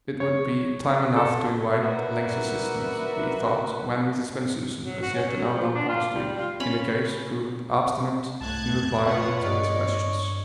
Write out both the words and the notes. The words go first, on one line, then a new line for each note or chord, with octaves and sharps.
It would be time enough to invite Link's assistance, he thought, when Mrs. Bensusan--as yet an unknown quantity in the case--proved obstinate in replying to his questions.
C#5
A4
D#4 F#4 A#4 B4 D5 E5
F#3
F#4
C#4
F#3
G3
F3
D4
F4
G3
G3
F4
C#4 B5
C2 A2 A5 F#6 G#6
F2
F4 B4 C#5 F#5
G2 D5 D#5